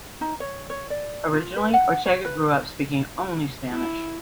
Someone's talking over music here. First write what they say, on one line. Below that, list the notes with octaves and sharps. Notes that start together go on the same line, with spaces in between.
Originally, Ortega grew up speaking only Spanish.
D#4
C#5
C#5
D5
F4
B4
F#5
C#5
B4
E4